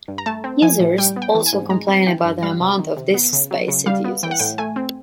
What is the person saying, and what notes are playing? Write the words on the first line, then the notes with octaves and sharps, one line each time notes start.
Users also complained about the amount of disk space it uses.
G2
A#5
A3 A5
C4
F3 G#5
A2
G3 G5
B3
G5
E3
G#5
G#2
G#3 A#5
C4
E3 G5
G2
G3 F5
C3
D#3
C3
B3
C#3
F#3
C#3
G3 F5
B3
E3 G5
F#5
A2 G5
A3 G#5
C4